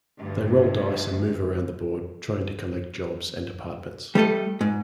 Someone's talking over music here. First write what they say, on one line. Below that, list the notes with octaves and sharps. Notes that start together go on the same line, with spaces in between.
They roll dice and move around the board, trying to collect jobs and apartments.
D2 G2
G3 A3 A4 D#5
G#2